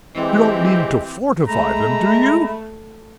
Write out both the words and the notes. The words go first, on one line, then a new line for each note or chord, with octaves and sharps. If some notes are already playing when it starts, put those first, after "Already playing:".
You don't mean to fortify them, do you?'
E3 G#3 C4 G4
G#3 A3 E5 A#5 B5